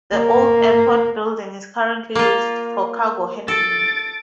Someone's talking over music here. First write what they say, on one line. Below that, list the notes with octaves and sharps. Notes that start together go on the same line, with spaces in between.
The old airport building is currently used for cargo handling.
A#3
A#3 F4
A4 A6 D7